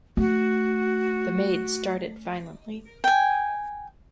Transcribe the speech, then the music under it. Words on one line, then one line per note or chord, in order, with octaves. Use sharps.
The maid started violently.
A3 F#4
G5 G#5